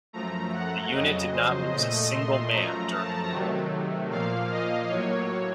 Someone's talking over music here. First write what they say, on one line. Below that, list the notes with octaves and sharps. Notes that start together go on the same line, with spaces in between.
The unit did not lose a single man during the war.
F#2 F3 A3 A#5
F#5
F2 C#3 F#3 D#5
C5
A#2 A3 D#5
C6
F#2 F3 A3 A#5
A5
C3 D#3 F#3 A3
A#2 F3 A#3 F5
D#5
A2 F#3 A#3 C#5